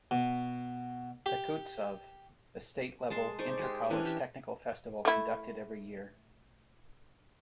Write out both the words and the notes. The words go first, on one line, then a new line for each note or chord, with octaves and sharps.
Techutsav - a State level inter college technical festival conducted every year.
B2
G4
G#3 A5 C6
D#4 C5 D5 C#6
G#3 G4
E3 C#4 D4
G4
A3 E4